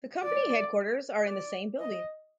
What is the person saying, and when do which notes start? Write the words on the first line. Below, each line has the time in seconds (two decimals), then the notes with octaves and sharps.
The company headquarters are in the same building.
0.24 D5
1.28 D5
1.80 D#5